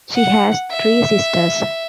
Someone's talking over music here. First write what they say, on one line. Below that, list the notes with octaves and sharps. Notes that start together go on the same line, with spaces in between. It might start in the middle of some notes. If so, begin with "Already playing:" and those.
She has three sisters.
F#5
E5